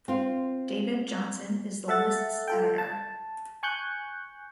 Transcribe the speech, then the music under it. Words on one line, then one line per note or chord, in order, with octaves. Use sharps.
David Johnson is the list's editor.
C4 F4
A4 E5 F#5 A6
F4 A4 G5
A5
G#5 C#6 F#6 G6